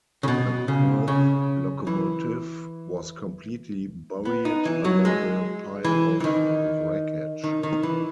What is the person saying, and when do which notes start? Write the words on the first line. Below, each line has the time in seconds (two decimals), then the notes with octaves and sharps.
The Perth locomotive was completely buried under the pile of wreckage.
0.23 C#3
0.28 B2
0.68 C#3
1.08 C#3
1.87 E3
4.25 B3
4.45 D#4
4.65 E3
4.85 F#3
5.05 G#3
5.84 E3
6.20 E3
6.24 D#3
7.44 D#3
7.63 D#3
7.83 E3